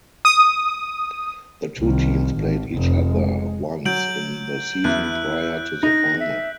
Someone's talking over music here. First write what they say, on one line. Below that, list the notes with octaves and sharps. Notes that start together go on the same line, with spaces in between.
The two teams played each other once in the season prior to the final.
D#6
C2 D#3
G#1
F1
G#3
F#3 G6 D7 F#7
E2 E4 F#6
D#4 A#6
E5